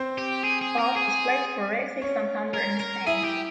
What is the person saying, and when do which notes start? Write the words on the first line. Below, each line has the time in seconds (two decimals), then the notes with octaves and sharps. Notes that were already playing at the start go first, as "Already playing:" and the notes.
Bahr has played for Racing Santander in Spain.
Already playing: C4 C5
0.18 G4
0.44 G#4
0.61 G#4
0.79 A#4
0.96 G#4
2.02 C#4 C#5
2.54 A#4
2.80 A#4
3.06 E4 G#4 E5
3.24 G4